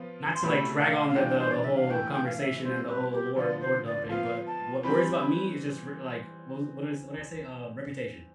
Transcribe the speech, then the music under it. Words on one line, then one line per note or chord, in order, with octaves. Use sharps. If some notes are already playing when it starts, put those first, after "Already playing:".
not to, like, drag on the the the whole conversation and the whole lore lore-dumping, but what worries about me is just, r like what is wh what is what did I say? Reputation.
Already playing: F3 B3 F4
C6
B2 A3 E4 G4 B5
F5
F5
E3 G3 D4 F4 G5
C5
D5
E5
F5
E3 A3 E4 G5
G5
F5
E5
G3 C4 E4 C5
B4
G4
D3 F3 B3 F4 D5
C5
D5
F3 B3 F4 F5
A5
E3 G3 C4 B5
B5